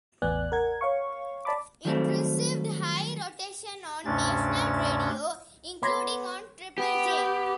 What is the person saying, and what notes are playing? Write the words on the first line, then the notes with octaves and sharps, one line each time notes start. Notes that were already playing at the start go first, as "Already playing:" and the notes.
It received high rotation on national radio, including on Triple J.
A1 E2 B3 D5 G#5 F#6
A#4 F#5 G#6
C#5 F5 C#6
D5 A5 B5 D6
D#3 F#3 G3 A3 C4 A4
D2 G2 C3 C#4 D4 A6
B3 C#5 B5 C6 D6 G#6 A#6
B3 G4